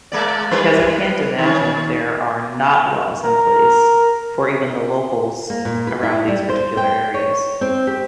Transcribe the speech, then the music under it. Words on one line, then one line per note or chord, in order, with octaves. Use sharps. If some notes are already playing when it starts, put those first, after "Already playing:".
because I can't imagine there are not laws in place for even the locals around these particular areas.
G#3 A#3 D5
G3 B4 C5
D#3 C#4
A#4
A#3
A#2
B4
E4
G3
C5
G5
C#5
C4
G4